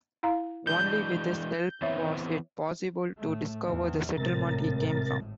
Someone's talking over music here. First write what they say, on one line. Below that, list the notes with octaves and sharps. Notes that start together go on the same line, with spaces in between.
Only with his help was it possible to discover the settlement he came from.
E4 F5 A#5
E3 G#3 D4 G6
E3 B3 C4 C#5 E5
A2 A3
E2 E3
G#1 A2 C3 A#4 A6